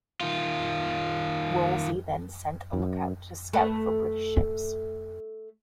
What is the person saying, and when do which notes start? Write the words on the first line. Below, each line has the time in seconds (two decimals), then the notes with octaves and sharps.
Woolsey then sent a lookout to scout for British ships.
0.21 D#3 F4
2.73 F#2
3.53 A3 A4 B4